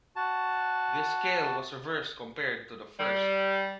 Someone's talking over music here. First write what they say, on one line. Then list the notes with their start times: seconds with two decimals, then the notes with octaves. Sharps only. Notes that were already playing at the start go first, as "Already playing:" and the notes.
This scale was reversed compared to the first.
0.16 F#4 A5
2.99 G3